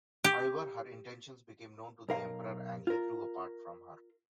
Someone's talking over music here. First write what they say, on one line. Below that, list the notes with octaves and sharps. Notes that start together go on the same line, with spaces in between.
However, her intentions became known to the emperor and he grew apart from her.
G4
B1 A#4 F5
F4 A#4